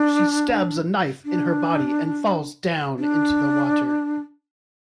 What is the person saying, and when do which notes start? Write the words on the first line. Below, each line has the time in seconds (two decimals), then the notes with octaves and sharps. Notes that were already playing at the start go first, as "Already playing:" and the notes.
She stabs a knife in her body and falls down into the water.
Already playing: D4
1.25 D4
2.99 D4